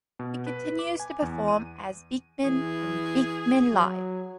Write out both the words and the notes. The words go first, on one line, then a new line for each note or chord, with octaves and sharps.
He continues to perform as Beakman in Beakman Live!
B2
B4
D6
G#5
E2
D#7
E3 G#4
F#3